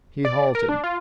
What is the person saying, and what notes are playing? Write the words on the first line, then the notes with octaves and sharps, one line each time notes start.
He halted.
D5
A#4
D4
F4